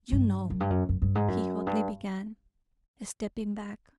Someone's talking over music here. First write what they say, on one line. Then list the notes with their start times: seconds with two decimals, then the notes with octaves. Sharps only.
"You know!" he hotly began, stepping back.
0.12 G2
0.50 F#2
0.60 G2
0.70 F#2
0.89 F#2
1.02 G2
1.15 G#2
1.28 F#2
1.67 G2